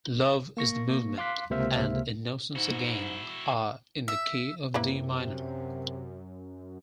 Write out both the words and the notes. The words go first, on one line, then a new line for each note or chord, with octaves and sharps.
"Love is the Movement" and "Innocence Again" are in the key of D minor.
A#3 C#6 A#6
F5 C6 D6 F#6 B6
C#2 C3 A#3 C5 E5 F6
G#2 E4 F#4
E5
F#2 C3 A#3 E4 B4